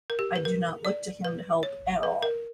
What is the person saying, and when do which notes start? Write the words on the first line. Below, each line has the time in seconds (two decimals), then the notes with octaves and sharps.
I do not look to him to help at all,
0.10 A#4
0.19 G4
0.36 B4
0.45 A#4
0.85 D5
1.25 B4
1.63 C#5
2.03 B4
2.23 A#4